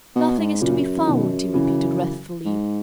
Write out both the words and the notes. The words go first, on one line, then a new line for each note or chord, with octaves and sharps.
"Nothing is to be found!" he repeated wrathfully.
B2
G#2
F#2 A#2 C#3
E3
B2 D#3
C#3 E3
G#2